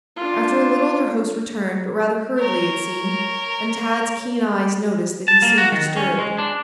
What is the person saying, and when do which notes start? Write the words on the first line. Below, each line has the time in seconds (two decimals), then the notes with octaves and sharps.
After a little their host returned, but rather hurriedly, it seemed, and Tad's keen eyes noticed that he seemed disturbed.
0.16 D4 F4
2.37 A#4 C#5
5.28 A5
5.42 A#3
5.58 F#4
5.72 D#3
5.97 C#4
6.19 G#3
6.38 D4